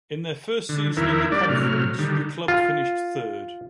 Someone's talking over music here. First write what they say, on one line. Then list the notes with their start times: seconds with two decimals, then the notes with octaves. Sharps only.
In their first season in the Conference the club finished third.
0.69 D3
0.97 E2 D#3 E4 A#4
1.32 G3 A#3 D4 D5
1.49 A2 C3 F#3 F6
1.98 D3 D#3 G3
2.48 F4